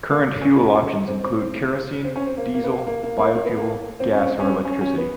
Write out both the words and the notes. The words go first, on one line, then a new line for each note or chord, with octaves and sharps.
Current fuel options include kerosene, diesel, biofuel, gas or electricity.
A#3
C#4
C4
C4
C4
C4
C#4
C4
A#3
A#3
B3
A#3
A#3
A#3
A#3
A#3
B3
A#3
C4
C#4
C4
C#4
C4
C#4
C#4
B3